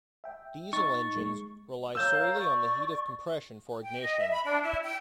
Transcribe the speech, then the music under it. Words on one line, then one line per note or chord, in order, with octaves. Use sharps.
Diesel engines rely solely on the heat of compression for ignition.
E5 G5
D#4 C#6 A6
G#3
A#4 C#5 F5 E6 G6
D5 C#6
G5
D#5
E5
B5
D4
E4
G5